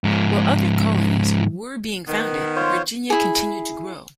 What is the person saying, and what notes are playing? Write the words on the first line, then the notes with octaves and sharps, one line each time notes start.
While other colonies were being founded, Virginia continued to grow.
G#2 F3
D#3 B3
F4 C5 C#5
E4 G#4